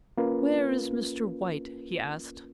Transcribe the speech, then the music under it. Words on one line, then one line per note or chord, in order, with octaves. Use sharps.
"Where is Mr. White?" he asked.
A#3 C#4 F4 A#4 B4